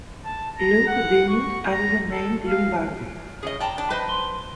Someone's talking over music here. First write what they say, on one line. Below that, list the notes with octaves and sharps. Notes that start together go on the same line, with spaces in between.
Lou continued under the name "Lou Bandy".
A5
A#5
F#5
C#6
A#5
A4
F5
C#3 C#4 G#4 D#5
D5 G5 A5 A#5
D4
F#3 B4 C5 D#5
F#3 C6